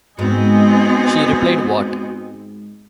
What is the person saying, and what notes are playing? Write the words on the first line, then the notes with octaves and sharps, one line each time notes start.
She replied: What!
G#2 B3 C4 F#4 D#5 G#5